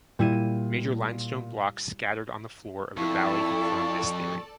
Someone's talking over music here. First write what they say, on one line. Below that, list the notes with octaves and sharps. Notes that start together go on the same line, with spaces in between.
Major limestone blocks scattered on the floor of the valley confirm this theory.
A#2 G3 E4 D#7
F2 E4 A4 D5 A5 C#6